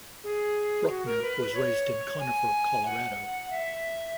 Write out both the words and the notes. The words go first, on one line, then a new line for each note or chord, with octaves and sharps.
Bruckner was raised in Conifer, Colorado.
G#4
F#4
A#4
B4
B4
C#5
G#5
F#5
E5